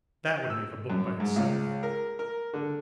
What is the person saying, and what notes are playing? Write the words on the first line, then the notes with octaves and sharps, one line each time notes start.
That would make a book by itself.
E6
F#2
G#2
C#2
A#4
A#4
D3